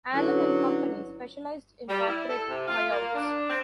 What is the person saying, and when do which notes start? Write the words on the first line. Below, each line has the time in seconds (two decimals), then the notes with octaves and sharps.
Allen and Company specialized in corporate buyouts.
0.13 D3 F#3 C#4 E4 B4
1.88 G3
2.06 E4
2.28 A4
2.48 C3
2.68 F4
2.90 A#3
3.14 D4
3.48 C4